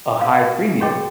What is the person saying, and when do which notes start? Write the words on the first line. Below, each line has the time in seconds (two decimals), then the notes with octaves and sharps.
a high premium
0.21 F5
0.80 F#4 G#4 C#5 D#5 G5 D6